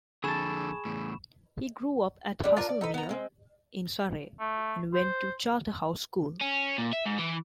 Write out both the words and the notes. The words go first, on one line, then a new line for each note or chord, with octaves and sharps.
He grew up at Haslemere in Surrey and went to Charterhouse School.
F2 D3 G#4 A5 B5 C#6 E7
E2 A2
G3 D4
D4 F4 A#4 A5
D5
D#4 A4 B4
B3 A#5
G#3 C4
A3
C5
C#4
A#2
E5
G#2
E3